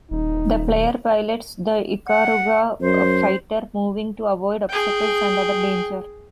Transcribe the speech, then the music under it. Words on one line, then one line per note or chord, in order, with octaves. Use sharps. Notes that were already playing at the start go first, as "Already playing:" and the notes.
The player pilots the Ikaruga fighter, moving to avoid obstacles and other danger.
D#1 D#4
F#5
F#2 C5
G#4 G5